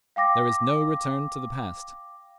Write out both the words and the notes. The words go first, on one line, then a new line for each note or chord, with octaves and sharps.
There is no return to the past.
F5 G5 D6 A#6